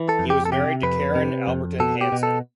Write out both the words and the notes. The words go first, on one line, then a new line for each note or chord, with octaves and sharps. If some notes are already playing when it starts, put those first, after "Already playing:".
He was married to Karen Albertine Hansen.
Already playing: E3
A4
F2
G4
A4
C3 G4
F2 B4
C3
F2
B2 A4
G4
B2
A4